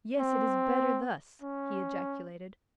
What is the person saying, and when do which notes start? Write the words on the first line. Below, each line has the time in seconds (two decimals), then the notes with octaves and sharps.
"Yes, it is better thus," he ejaculated.
0.20 C4
1.42 C#4